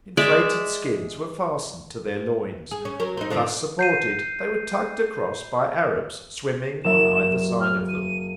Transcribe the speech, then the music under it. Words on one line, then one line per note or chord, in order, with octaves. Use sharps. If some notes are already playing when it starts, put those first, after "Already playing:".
Inflated skins were fastened to their loins, and thus supported, they were tugged across by Arabs swimming on either side of them.
G#3 D5 E5
G#4
C#4
F#3 A#4
C4 D#4
D3 F3 C4
G6 C7 D#7
F#1 F#3 E5 E7
F6
D#7